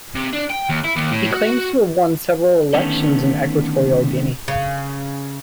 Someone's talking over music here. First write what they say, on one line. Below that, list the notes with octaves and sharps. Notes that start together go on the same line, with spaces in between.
He claims to have won several elections in Equatorial Guinea.
C3
D4
G5
D#2
E4
D#2
A2
F#4
D3 D#3 A3 B3 C#4 A4
C#3